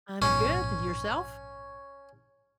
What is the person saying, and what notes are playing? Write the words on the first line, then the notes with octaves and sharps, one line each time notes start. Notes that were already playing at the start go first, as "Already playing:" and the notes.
I'm good, and yourself?
A#1 G#2 B2 C#4